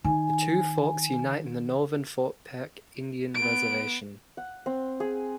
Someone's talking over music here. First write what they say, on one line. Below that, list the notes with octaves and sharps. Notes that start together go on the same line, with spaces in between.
The two forks unite in the northern Fort Peck Indian Reservation.
D#3 G#5
B3 D7
F#5
C4
G#4